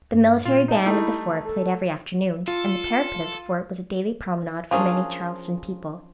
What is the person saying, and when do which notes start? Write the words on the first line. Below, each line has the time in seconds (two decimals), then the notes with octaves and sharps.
The military band of the fort played every afternoon, and the parapet of the fort was a daily promenade for many Charleston people.
0.13 G2
0.45 A#2 F4
0.68 D#4 A5
0.85 G3 A3 D#4 E4
1.29 E3
1.45 A4
2.48 F4 A4
4.71 F3 C#4 D4 F4 G#4 A#4